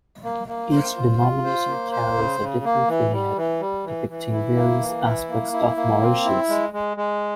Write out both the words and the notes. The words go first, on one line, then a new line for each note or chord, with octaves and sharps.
Each denomination carries a different vignette, depicting various aspects of Mauritius.
A#3
A#3
C5
F4
F4
C5
A#3
C5
C#3
C#3
A#3
E3
G3
E3
G3
E3
E3
E4
A#3
E3
E4
A#3
E4
A#3
C4
E4
G#3
G#3
G#3